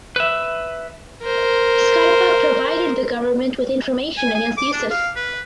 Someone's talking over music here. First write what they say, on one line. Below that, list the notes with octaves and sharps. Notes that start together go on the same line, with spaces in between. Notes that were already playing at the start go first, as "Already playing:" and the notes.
Scarpa provided the government with information against Yousef.
B4 E5
A#4 C5
G#5
G#5
D6
D4
F5
B4